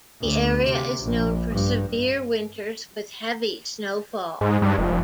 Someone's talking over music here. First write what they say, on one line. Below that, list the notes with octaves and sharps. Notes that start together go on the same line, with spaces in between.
The area is known for severe winters with heavy snowfall.
D2
C3
A#1
G2
G#2
G2
F1